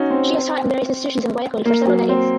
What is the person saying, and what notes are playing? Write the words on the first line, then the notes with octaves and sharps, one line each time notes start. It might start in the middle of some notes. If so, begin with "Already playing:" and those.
She has taught in various institutions in Guayaquil for several decades.
Already playing: C#4 D#4 F#4
C4
A#3
F#3
C4